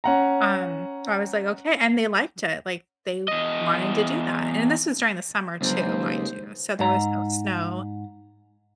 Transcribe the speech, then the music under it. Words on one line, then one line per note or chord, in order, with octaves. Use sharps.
Um, I was like, "Okay" and they liked it, like, they wanted to do that. And this is during the summer too, mind you, so there was no snow,
C#4 F#5 A#5
E2 D#5
G1 C#2 F#3 C5
D#2
G#2 A#5